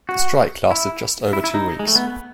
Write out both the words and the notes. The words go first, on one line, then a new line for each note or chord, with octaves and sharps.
The strike lasted just over two weeks.
F#4
E4
E4
E4
D#4
G#3
A3
B3